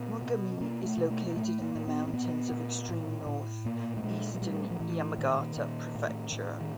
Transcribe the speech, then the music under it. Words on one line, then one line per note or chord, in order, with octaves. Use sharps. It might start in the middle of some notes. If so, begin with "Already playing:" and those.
Mogami is located in the mountains of extreme north eastern Yamagata Prefecture.
Already playing: A#2 B3
B2
B2 A#3
A3
B2
A3
A#3
A2 A3
A#3
A2
B3
C4
A#2 B3
A#2
A2
A2
A#2 A#3
A3
A#2 G#3
F#3
A2 G3
F3
A2 E3
A#2 D#3
A#2
A2
A2
D#3